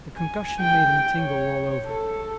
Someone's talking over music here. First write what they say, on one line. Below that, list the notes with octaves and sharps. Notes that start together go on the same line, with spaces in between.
The concussion made him tingle all over.
G#5
G5
C#5
A4